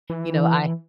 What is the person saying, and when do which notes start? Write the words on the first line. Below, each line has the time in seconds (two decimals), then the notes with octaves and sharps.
you know, I
0.10 E3